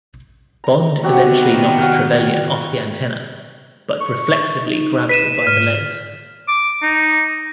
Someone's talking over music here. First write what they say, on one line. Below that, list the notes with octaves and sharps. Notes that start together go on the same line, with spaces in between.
Bond eventually knocks Trevelyan off the antenna, but reflexively grabs him by the legs.
A#5
C3 D#3 F#3 B3 F#4 G4
G3
F#4 F5 G5
C#6
D#4
B4 B6 D#7 E7
G#2 F6
D6
D#4